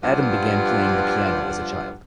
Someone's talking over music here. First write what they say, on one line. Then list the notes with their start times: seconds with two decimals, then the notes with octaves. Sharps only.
Adam began playing the piano as a child.
0.03 G2 F3 G3 F4 B4 F#5